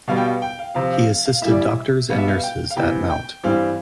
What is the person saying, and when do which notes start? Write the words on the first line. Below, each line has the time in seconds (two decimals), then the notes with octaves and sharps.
He assisted doctors and nurses at Mt.
0.08 B2 G3 B3 F5
0.17 G5
0.25 F5
0.42 G5
0.59 F5
0.74 C3 F3 C4 F5
0.92 F5
1.09 F5
1.25 F5
1.42 A2 E3 G3 E5
1.51 D5
1.61 E5
2.10 B2 G3 B3 F5
2.18 E5
2.28 F5
2.43 G5
2.70 F5
2.77 C3 E3 B3 G5
3.10 G5
3.44 G2 E3 G3 C4 F5